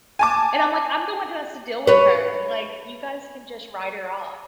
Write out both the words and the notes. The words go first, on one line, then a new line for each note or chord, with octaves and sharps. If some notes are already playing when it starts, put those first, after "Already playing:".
And I'm like, I'm the one who has to deal with her, like, you guys can just write her off.
G#5 A5 D6
B4 C#5